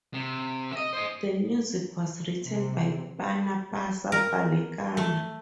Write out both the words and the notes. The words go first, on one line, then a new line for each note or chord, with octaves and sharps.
The music was written by Panapasa Balekana.
C3
D#5 E5
C5 D#5
C3
A#4
A3